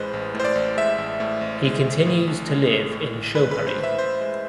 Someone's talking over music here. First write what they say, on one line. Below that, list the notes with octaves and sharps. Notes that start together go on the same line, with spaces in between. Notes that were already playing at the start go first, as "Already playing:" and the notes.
He continues to live in Schoharie.
Already playing: A1 A2 G#3 B4 C5
A1
A2
C5
D5
A1
G#3 E5
A1
A2
A1
G#3
A1
A2
A1
G#3
A1
A2
A1
G#3 B4
A1 B4
C5
A2
E5
A1 C5
G#3